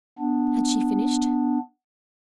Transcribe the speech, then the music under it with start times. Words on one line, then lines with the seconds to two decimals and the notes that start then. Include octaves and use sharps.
Had she finished?
0.19 B3 D4